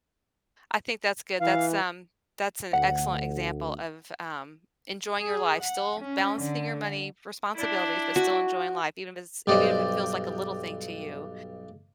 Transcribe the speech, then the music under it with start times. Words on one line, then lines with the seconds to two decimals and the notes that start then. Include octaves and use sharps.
I think that's good, that's, um, that's an excellent example of, um, enjoying your life, still balancing your money, responsibilities, but still enjoying life, even if it's even if it feels like a little thing to you,
1.39 E3 F5
2.73 D2 F#5
5.20 G#4
5.61 F#5
6.00 C#4
6.38 D3
7.55 D4 E4
8.16 F#4
9.47 B1 G2 G4 C5 D5 D#5